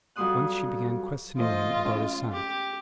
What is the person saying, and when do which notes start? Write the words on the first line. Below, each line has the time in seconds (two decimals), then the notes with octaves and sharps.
Once she began questioning him about his son.
0.16 F2 F#3 G3 C6 D#6 F#6
1.38 E3 A3 F4 C5 D#5
1.85 G#3 C#4
2.32 G4